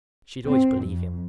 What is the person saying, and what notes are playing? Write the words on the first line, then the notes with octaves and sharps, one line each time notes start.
She'd always believe him.
C4
F2